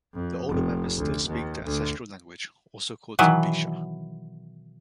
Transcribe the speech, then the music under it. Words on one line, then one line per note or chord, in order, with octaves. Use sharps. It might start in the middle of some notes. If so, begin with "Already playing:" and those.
The older members still speak the ancestral language, also called Timbisha.
F2
F1
D2
D#2
D2
B2 D#3 E3 F#3 B3